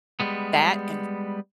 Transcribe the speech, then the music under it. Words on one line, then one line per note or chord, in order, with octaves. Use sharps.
That and
G3 G#3 B3